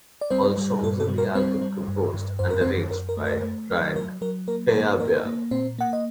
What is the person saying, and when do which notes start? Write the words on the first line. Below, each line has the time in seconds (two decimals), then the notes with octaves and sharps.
All songs in the album composed and arranged by Ryan Cayabyab.
0.21 D5
0.30 G3 C4 C5
0.58 G3
0.83 G2 A4
1.00 A4
1.09 G3
1.18 A#4
1.35 G3 C4 C5
1.62 G3
1.88 G2
2.14 G2
2.39 F#2 C5
2.50 A#4
2.61 F#2 C4 C5
2.91 F#2 A#4
3.09 A#4
3.17 A3
3.26 A#4
3.43 A3
3.70 F#3
3.96 F#3 A#4
4.22 F#3 A#4
4.48 A#3 A#4
4.69 A4
4.73 A#3 A#4
5.00 A#3 A#4
5.26 A#3
5.51 A#2 C4 C5
5.79 A#3 F#5
5.93 D#5